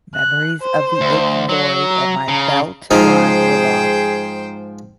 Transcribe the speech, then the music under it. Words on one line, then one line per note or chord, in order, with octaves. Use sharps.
Memories of the aching void at my belt-line were lost.
F#6
C5
D2
F#3
A#5
C#3
G#2 F3 D#4 F4 G#4 C5 G5